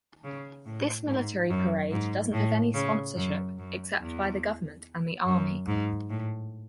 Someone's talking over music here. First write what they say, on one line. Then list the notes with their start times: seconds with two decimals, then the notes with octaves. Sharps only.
This military parade doesn't have any sponsorship except by the government and the Army.
0.24 C#3
0.66 A2
1.07 G#2
1.49 F#2
1.91 G#2
2.33 A2
2.74 C#3
3.16 F#2
3.59 F#2
4.00 E2
5.26 F#2
5.67 G#2
6.10 A2